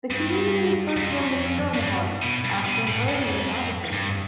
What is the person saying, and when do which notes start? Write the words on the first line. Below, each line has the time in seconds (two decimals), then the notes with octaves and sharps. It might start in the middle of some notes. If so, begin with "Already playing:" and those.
The community was first known as "Schermerhorn's" after an early inhabitant.
0.11 G2
0.96 F2
1.74 F2
1.80 G2
2.23 B2
2.45 G2
2.65 B2
2.87 A2
3.08 F2
3.92 G2